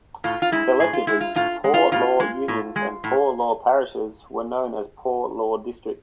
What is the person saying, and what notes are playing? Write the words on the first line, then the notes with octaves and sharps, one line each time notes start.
Collectively, poor law unions and poor law parishes were known as poor law districts.
A2 F4
F4
G#3 E4
A2 G#4
F4
G#3 E4
F4
A2 F4
G#3
F4
A2 F4
G#3
A2
G#3
A2